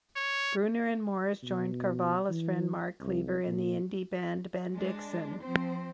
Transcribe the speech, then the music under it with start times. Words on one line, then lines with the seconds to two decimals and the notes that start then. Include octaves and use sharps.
Gruener and Morris joined Corvallis friend Mark Cleaver in the indie band Bendixon.
0.16 C#5
1.43 B2
2.30 E3
3.01 C2
3.47 A#2
4.73 G#3 D4
5.41 F3 C4 C5